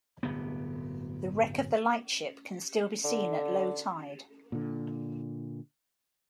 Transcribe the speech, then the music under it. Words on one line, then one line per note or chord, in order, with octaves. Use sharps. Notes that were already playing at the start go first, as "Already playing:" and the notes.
The wreck of the lightship can still be seen at low tide.
D1 G1 C3 B3
D3
A#2 D3